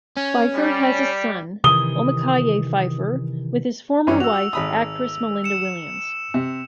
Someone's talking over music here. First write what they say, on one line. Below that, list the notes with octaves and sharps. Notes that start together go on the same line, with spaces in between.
Phifer has a son, Omikaye Phifer, with his former wife, actress Malinda Williams.
C#4
G3
C3 D#3 E3 D#6 G7
G2 E3 C#4
F#4 E6 F7
G#1 B5 D#6
C#7 E7
C3